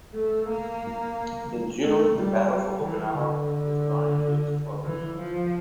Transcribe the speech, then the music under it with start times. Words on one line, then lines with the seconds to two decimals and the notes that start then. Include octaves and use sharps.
In June, the battle for Okinawa was drawing to its close.
0.14 A3
0.49 A#3
1.83 A3
2.17 G3
2.51 G3
2.84 E3
3.17 D3
4.85 E3
5.19 F3